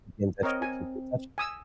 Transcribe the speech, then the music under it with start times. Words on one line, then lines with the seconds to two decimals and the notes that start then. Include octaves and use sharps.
keep in touch you keep in touch
0.43 C4 A#4 C#5 D#5
0.62 G#5
1.38 G#5 D#6 E6